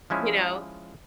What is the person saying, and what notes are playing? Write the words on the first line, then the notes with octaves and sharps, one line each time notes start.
you know?
F3 G#3 C#4 E4